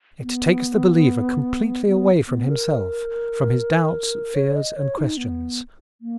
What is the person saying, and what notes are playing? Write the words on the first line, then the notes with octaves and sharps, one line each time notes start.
It takes the believer completely away from himself, from his doubts, fears, and questions.
B3
B3
B3
A#4
C#5
D#5
C#5
D#4
B3
A#3